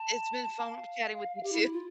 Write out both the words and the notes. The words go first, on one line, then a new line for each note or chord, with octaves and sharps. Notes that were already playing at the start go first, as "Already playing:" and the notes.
It's been fun chatting with you too.
Already playing: A5
F5
G4
E4
E4
F4